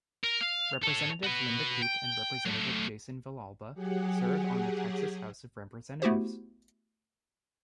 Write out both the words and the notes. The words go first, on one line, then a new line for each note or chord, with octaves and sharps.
Representative Linda Koop and Representative Jason Villalba serve on the Texas House of Representatives.
A#4
F5
A4 C#5
F#4 B4
G5
F#3 A3
F#3 G4 G#4 F#5
A3 B3 E4 F#4 G4 C5